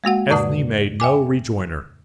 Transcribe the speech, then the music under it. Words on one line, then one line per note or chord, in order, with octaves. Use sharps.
Ethne made no rejoinder.
G#3 A#3 F#4 F#5
F2 A2 C#3 D5 A5 D#6
E5 G5 G#5 D6